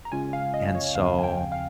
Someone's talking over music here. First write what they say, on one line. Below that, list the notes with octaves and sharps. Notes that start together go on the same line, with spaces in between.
And so,
A#5
C#3 G#3 C#4 F4 G#5
F5
D#5
C#5
D#2 C#3 F3 C4 F5
G#5
G5
F5